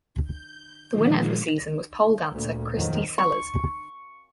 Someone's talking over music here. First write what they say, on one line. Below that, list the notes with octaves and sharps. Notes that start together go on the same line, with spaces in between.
The winner of the season was pole dancer Kristy Sellars.
G6
A#2 D3 D#3 F3 G#3 A#3
D2 A#2
F2 D#3 F3 F#3
C#6